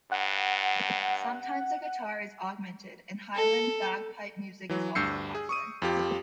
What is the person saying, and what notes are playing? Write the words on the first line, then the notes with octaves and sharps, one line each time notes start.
Sometimes a guitar is augmented, and Highland bagpipe music is also popular.
G2 F#5
A4
E3 F#3
D2 G2 E6 G6 C7 C#7
G#4
C#6 D#6 D#7
F2 F4 G4